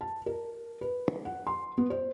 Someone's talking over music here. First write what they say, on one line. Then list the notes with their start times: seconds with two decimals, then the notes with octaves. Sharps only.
I have made my way through three years of posts.
0.01 A5
0.26 A#4
0.81 B4
1.25 F#5
1.47 C6
1.78 B3
1.90 C5